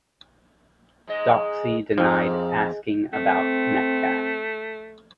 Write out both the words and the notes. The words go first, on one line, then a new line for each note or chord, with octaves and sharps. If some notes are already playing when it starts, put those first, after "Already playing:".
Doxey denied asking about Metcalfe.
G#2 G#3 D#5
F2 G#2 F3
A3 C4